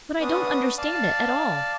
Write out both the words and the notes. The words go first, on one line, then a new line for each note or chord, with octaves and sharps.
But I don't understand it at all!
B3 C#4 D4 B4 D#6
D5 F5 A5